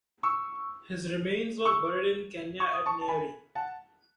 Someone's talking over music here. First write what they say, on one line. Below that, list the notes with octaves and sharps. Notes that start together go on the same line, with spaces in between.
His remains were buried in Kenya at Nyeri.
C#6 E6
C#6 E6
C#6
D#6
A5 C#6
A5
G#5 B5
F#5 A5